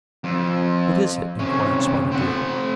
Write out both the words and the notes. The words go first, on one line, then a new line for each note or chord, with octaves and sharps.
"What is it?" inquired Spotted Deer.
F2
C3 C#4
C4 F#5